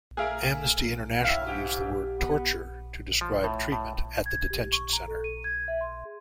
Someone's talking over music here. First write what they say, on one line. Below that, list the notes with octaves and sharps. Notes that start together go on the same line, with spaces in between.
Amnesty International used the word "torture" to describe treatment at the detention center.
A3 G#4 A#4 E5 F5
A2 E5 F5
G#2 G4
B3
F3
A2
A2
G#6
G4
C#6
A#5
A4
D#7
G#6
E5
C6
G#4